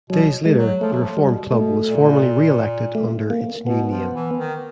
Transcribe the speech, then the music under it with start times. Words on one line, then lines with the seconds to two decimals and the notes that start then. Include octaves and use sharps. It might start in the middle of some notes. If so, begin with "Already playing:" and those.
Days later the reformed club was formally re-elected under its new name.
0.10 B2 F#3
0.46 G#3
0.58 F#3
0.81 F3 A3
0.92 F#3
1.02 F3
1.17 B2 G3
1.52 B2 A3
1.88 A#2
2.95 A3
3.30 A#3
3.66 B2 B3
3.89 F3
4.14 E3
4.37 D#3